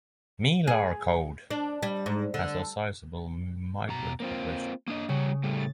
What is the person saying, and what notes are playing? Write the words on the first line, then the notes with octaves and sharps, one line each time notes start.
Melarcode has a sizable migrant population.
G#4
D4
G3
G#2
D3
B2 A#5
A#3 C4 F4
A#3 D4 D#5 D#6
C#3 G3 C#5
A2 G3 A3
A6